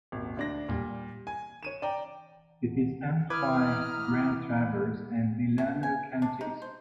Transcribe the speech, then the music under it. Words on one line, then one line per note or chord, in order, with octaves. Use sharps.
It is owned by Grand Traverse and Leelanau counties.
D#1 G#1
D2 D4 A#6
A#2 G3
G#5
C#5 D#7 E7
D5 G5 A#5
E3 B4 A#5 D6 D#6 F6 G#6
B2
G#5
D4
D#4
C5